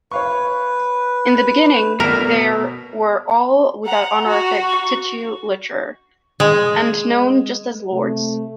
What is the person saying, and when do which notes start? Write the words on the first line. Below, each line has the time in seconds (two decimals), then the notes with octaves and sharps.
In the beginning, they were all without honorific titulature, and known just as "lords".
0.11 B4 C#5 F5 C#6
2.00 B2 A3 A#4 D5
3.85 F#5 A#5
4.24 F#4
4.68 C#6
6.40 G#3
7.92 C3 A3